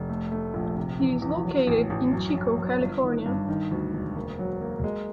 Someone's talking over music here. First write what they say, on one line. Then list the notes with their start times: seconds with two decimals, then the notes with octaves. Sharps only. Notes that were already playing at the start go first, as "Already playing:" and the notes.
It is located in Chico, California.
Already playing: F1
0.09 A3
0.32 A3
0.54 A#1
0.77 C3
1.00 E2
1.22 E2
1.45 F#3
1.67 A1
1.90 A1
2.13 F#2
2.35 F#2
2.58 F#2
2.81 G1
3.03 D#3
3.26 G2
3.49 D#3
3.71 D2
3.93 E1
4.16 A#3
4.39 F#3
4.61 A#3
4.84 G#3